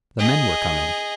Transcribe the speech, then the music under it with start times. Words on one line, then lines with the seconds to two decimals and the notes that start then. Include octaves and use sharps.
The men were coming!
0.19 G#4 D#5